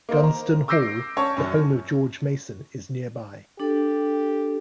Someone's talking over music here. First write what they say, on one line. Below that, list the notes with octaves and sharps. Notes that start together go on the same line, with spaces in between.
Gunston Hall, the home of George Mason is nearby.
A#3 D#4 A#4 C5
A#5
D6 E6 G6 A#6 C7 D7
C#4 C#5 A5 C#6
F#2 C#4
D4 G4 A4